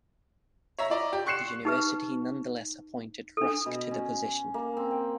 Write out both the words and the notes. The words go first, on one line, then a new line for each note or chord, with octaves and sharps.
The university nonetheless appointed Rusk to the position.
C#5 E5 A#5
E4 D5 D#5
G4
C6 C#6 F#6 C7 C#7 E7
D#4 G4 B4
D4 A4
B2
C#4
C#4
A#3
C4
G5